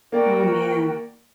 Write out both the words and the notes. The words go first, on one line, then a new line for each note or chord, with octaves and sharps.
Oh, man.
A#3 F#4 A#4 D5 G5